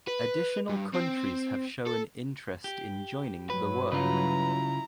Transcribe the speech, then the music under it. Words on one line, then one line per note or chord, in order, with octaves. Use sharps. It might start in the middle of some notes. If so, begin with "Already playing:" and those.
Additional countries have shown interest in joining the work.
B4
G2
C4
A4
G4
G2 F#3 B4
C#3 E4 F4 B4 A#5